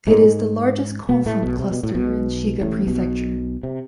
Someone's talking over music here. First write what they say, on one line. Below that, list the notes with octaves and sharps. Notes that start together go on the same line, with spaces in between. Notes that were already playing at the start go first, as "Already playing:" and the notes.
It is the largest "kofun" cluster in Shiga Prefecture.
G#2 G#3
B2 B3
A2 A3
B1 B2
C3
B2
A2
B1 B2
A1 A2
B1 B2
C3